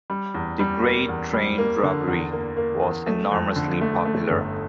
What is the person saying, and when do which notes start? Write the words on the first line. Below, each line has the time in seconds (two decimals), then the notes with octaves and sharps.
"The Great Train Robbery" was enormously popular.
0.10 G3
0.34 E2
0.60 G3
0.84 A#3
1.09 E2
1.33 G3
1.58 A#3
1.83 D3
2.08 E2
2.32 A#3
2.57 A#3
2.82 E2
3.07 A3
3.32 F2
3.56 D3
3.81 A3
4.05 A3
4.30 G1